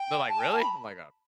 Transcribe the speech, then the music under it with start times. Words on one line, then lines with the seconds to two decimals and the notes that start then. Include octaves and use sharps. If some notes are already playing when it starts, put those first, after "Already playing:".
They're like, "Really?" I'm like, "Okay.
Already playing: G5
0.28 A5
0.39 G5
0.50 A5
0.60 B5